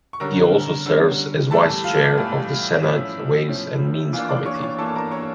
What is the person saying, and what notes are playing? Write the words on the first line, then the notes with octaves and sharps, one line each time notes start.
He also serves as vice chair of the Senate Ways and Means Committee.
C#6
D3 G3 C#4 A#4 A#5
D3 G3 C#4
A2 E3 G3 A4 A5
F4 F5
D5
A2 E3 G3
A2 F3 C#4 E4 E5
A2 F3 C#4
E3 A#3 D4 F4 F5
D5 D6
C#5 C#6
D6
C#5 C#6
E3 A#3 D4 A4 A5
A#4 A#5
C#5 C#6